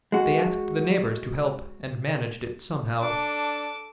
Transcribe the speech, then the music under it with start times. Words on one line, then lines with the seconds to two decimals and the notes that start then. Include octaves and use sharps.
They asked the neighbors to help and managed it somehow.
0.12 G#3 F#4
3.01 D4 A4 D6